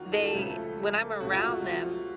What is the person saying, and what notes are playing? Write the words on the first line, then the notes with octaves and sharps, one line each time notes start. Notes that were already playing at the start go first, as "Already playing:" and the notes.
they when I'm around them,
Already playing: D#2 D#3 A#3 F4 F#4
A4
C#2 C#3 F3 A3
C#2 C3 F#3 A3 F#4
F4
F#4
F4